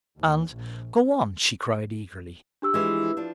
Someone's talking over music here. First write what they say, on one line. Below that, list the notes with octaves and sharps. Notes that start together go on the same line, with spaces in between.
And--'Go on,' she cried eagerly.
D#2
A#1
D4 G4 E6
E3 F3 G#3
F3 D4